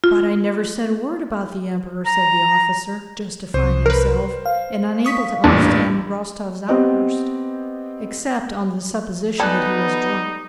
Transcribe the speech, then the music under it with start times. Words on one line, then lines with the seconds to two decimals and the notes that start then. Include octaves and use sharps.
"But I never said a word about the Emperor!" said the officer, justifying himself, and unable to understand Rostov's outburst, except on the supposition that he was drunk.
0.04 F4
2.06 A#5
3.54 C2 C3 C5
3.86 A#4 B4
4.46 F5
5.05 C#6 D#6 B6
5.44 A1 E2 G2 A#2 D4
6.69 B3 C4 G4 D#5
9.40 G3 B3 D#4 A4 G#5 A5 F#6